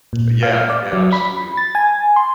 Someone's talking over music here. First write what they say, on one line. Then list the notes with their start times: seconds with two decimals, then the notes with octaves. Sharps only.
Yeah. Yeah, absolutely.
0.13 A#2
0.43 F5
0.70 D5
0.93 F#3
1.13 B5
1.57 A6
1.75 G#5
2.16 C6